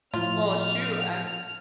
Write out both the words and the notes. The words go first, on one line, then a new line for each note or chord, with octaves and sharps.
Well, shoot. I'm
A2 F3 F4 F6